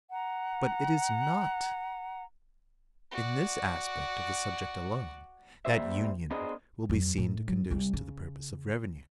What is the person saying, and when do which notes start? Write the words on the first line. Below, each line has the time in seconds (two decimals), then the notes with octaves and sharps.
But it is not in this aspect of the subject alone that Union will be seen to conduce to the purpose of revenue.
0.10 F#5 A#5
3.11 F#4 D5
5.65 G3 A#3 C5 E5
6.31 B3 D4 G#4 A#4 C5 D#5
6.89 F2 F#3
7.18 A2
7.48 F#3
7.71 C2 G3
7.93 C#3